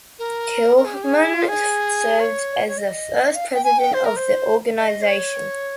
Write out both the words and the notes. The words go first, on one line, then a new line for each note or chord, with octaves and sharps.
Tilghman served as the first president of the organization.
A#4
A#4
G#4
G4
G#4
F4
G#4
C#5
C#5
D#5
F5
G5
G#5
G5
C5
A#4
C5
D#5
C5
C#5